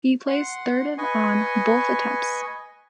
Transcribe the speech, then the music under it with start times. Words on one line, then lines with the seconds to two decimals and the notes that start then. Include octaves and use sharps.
He placed third on both attempts.
0.28 F#5 C6
0.98 B4 D#5 G#5 C#6